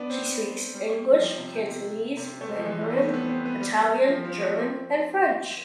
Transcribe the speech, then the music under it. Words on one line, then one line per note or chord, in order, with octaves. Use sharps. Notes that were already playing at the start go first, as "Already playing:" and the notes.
She speaks English, Cantonese, Mandarin, Italian, German and French.
Already playing: B3 D4
C4
B3
G3
F3
G3
C3
C3
C3
C3
A3
G3
F3
E3
G3
B3
A3
C4
B3
C4
B3
G3
F3
F3
A3
C4